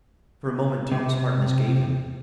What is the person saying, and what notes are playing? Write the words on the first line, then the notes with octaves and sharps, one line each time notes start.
For a moment Tom's heart misgave him.
C3